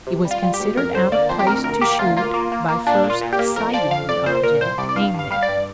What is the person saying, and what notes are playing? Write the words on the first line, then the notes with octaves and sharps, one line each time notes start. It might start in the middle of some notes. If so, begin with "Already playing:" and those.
It was considered out of place to shoot by first sighting the object aimed at.
C3
G3
F4
G3
G4
D2
F2 A#4
D3 C5
A#3 D5
F2 C5
G4
D2 A#4
D2 A#4
A#3 G4
D2 F4
A#3 F4
A#3
A#3
A#3
A#2 D4
A#2
F4
A#2
G4
A#3
F2 A#4
F3 D5
F2 F5
F2 D5
A#2 C5
A#2 A#4
C2 C5
C2 D5
D5
G2 F5
G2
F5
G3 F5
D5
G2